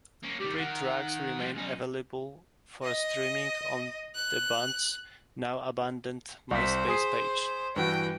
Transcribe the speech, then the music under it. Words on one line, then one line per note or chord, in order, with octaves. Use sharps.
Three tracks remain available for streaming on the band's now-abandoned MySpace page.
A#3 C#4
D#3 G3 G4
D#3 A#4 F#5
F3 G3
B1 C#4 D#4
D#5
F#6
C2 C4 C5 B6
G#4 D#6 C7
G2 E3 F#4 G5